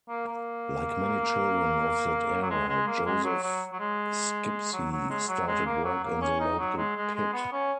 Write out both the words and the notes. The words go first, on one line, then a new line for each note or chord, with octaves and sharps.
Like many children of that era, Joseph Skipsey started work in the local pit.
A#3
A#3
F#3
G#3
G#3
A#3
G#3
F#3
F#3
F#3
G#3
F#3
F#3
G#3
F#3
G#3
A#3
F#3
A#3
C#4
D#4
F#3
G#3
G#3
G#3
B3
C#4